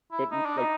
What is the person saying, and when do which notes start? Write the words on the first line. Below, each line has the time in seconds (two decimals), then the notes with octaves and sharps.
but n like
0.12 E4
0.32 D#4
0.45 D4
0.58 D#4